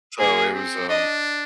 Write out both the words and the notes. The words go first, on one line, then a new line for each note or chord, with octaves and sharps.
so it was, um,
A#3 G#4
C4
D4 D#5